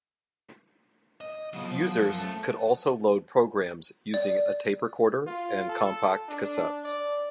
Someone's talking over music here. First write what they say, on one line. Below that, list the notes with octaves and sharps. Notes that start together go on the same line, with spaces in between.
Users could also load programs using a tape recorder and compact cassettes.
D#5
C#3 F#3 B3 F4
F3
F#2
A3 A5
D5
F4
A4
D4
D5